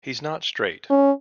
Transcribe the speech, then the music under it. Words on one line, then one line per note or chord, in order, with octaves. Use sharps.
He's not straight.
C#4